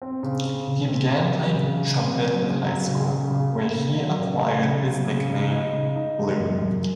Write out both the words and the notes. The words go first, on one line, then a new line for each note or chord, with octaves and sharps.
He began playing trumpet in high school, where he acquired his nickname, Blue.
C4
C#3
C#3
C#3
C4
C#3
F#3
C#3
C#3
C4
F#3
C#3
F#3
C#3
C#3
C#3
A#3
C#3
F#3
C#3
C#3
C#3
F#3
C#3
C#3
D#4
C#3
D#4
G#3
F#2
F#2